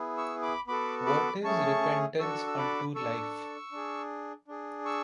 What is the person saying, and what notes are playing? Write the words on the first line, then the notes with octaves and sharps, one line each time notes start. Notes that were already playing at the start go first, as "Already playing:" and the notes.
What is repentance unto life?
Already playing: B3 E4 G#4
C#6 E6
B5 D6
B3 F#4 A4 B5 D6
B5 D6
A3 C#4 G#4 A5 C#6
D4 F#4 A4 C#6 E6
E6
B5 D6
D4 A4 C#6 E6
D4 G#4
D4 G#4
C#6 E6